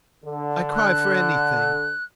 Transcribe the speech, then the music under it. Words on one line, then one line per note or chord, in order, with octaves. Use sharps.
I cry for anything.
D3
F#6